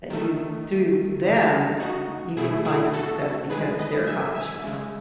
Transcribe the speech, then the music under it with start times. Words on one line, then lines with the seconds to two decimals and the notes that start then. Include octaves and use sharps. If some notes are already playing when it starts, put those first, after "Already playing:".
that you through them you can find success because of their accomplishments.
0.10 D#3 A3
1.23 C#3 E3 A3
1.80 D#4 F#4
2.37 B2 A3 E4 G#4
2.65 E4 G#4
2.94 F#4 A4
3.50 D#3 G#3 G#4 B4
3.79 B4 D#5
4.07 E5 G#5
4.35 E5 G#5
4.64 C#3 G#3